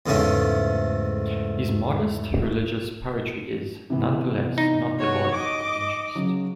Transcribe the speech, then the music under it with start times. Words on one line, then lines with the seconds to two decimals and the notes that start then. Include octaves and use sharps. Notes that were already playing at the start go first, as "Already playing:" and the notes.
His modest religious poetry is, nonetheless, not devoid of interest.
0.06 E2 G#2 C#3 A3 C#4
3.90 C3 E3 B3
4.58 D#4
4.99 F#4 C#5
5.35 D#5 D6
6.16 C#3 F#3